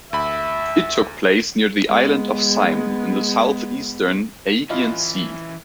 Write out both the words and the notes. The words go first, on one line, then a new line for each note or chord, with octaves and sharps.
It took place near the island of Syme in the south-eastern Aegean Sea.
D2 E5 B5
G#3 B3
E3 C#4 E4 F4 D#5